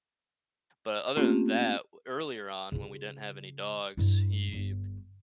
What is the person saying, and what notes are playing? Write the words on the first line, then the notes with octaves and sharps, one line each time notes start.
but other than that, w earlier on, when we didn't have any dogs, he
A3 A#3 C4 C#4 F4 G4
C#3 F4
G2 E4
G1